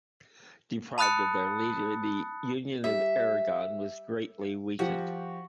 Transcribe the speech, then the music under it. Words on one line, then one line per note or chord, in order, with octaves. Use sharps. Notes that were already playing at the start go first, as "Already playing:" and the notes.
Deprived of their leader, the Union of Aragon was greatly weakened.
A5 B5 D#6 F#6 A6 C#7
G3 E5
F3 F#4 G4